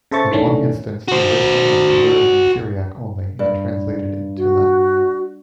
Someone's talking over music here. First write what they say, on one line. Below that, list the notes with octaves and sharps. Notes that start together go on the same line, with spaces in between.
In one instance, the original is preserved in Syriac only and translated into Latin.
C#3 A4 C5 E5 C#6 A6
D#3 E3 A3 C#4 D4
F#4 C5
G2
F#4